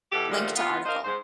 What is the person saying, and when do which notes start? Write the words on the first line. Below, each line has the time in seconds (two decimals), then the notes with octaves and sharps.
Link to article.
0.12 B2 E3 G4 A4
0.30 D3 D#3 F3 G3 A3
0.56 B3 F4
0.84 D4 A#4 C5 D#5 F5
1.04 G#2 C5